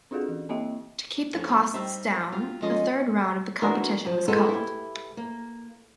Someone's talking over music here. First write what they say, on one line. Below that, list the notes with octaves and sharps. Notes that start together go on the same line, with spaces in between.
To keep the costs down, the third round of the competition was culled.
C4 D4 F4 F#4 G#4 A4
E3
A#3 C4 E4 D#5 E5 G5
F#2 F3 F#3 A3 D4
G3 D#4 G4 C5 E5
F#3 G3 F4
F3 G#3 C#4 F4 A4 D#5
E3 D4 F#4 A#4
F3
G#3 B3 F4 A4
E4 G4
A#3